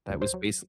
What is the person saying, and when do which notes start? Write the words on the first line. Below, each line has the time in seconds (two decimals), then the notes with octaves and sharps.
that was base
0.10 D2
0.22 C5
0.34 F#3